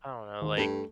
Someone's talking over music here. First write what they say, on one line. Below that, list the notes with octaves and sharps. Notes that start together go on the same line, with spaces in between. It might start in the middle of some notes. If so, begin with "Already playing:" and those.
I don't know, like,
D#2
G2 A3